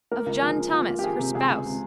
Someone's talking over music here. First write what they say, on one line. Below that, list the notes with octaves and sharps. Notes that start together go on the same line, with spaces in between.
Of John Thomas, her spouse.
A#3 A#4
C#2
F3 G#4
F3
F3 F4
A#3
G4
F3 G#4
C3
C3 G#4
C#2
C3